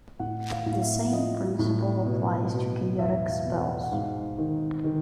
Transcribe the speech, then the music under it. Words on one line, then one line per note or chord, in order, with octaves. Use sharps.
The same principle applies to chaotic spells.
A2 F#5
F5
A2
F5
E5
F3 D#5
A2
B2
B2
E2 E5
F5
B2
F#5
F#5
G#2 F5
D#3
D#3